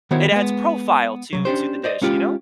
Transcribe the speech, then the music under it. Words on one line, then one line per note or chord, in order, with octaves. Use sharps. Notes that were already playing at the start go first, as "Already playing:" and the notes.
it adds profile to to the dish, you know?
D#3 B3 E4 F#4 C5 C#5
G#3 B3
C2 F2 F#3
C#4 D4 G4 C5
C5 D5 D#5
G#3 C#4 F4 G4